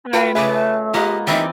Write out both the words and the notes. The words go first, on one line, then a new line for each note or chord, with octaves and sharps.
I know.
F4 F#4 B4 G5
C#3 G#4 B4 C#5 E5 B5 D6
A#3 B3 F4 G4 D#5 A#5
E3 G3 A#3 C4 D#4 D5 E5